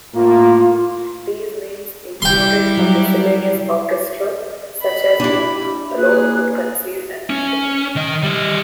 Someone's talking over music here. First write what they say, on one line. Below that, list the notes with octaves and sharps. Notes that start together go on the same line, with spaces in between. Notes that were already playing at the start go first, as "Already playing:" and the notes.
These means included a miscellaneous orchestra such as he alone could conceive and handle.
A2 A#3 F4
G3 E4 G5 C6
F#3
D#5 B5
D4 E4 G4
A#3 G#4 B4
C#4
D#3 D#5
G3 D#5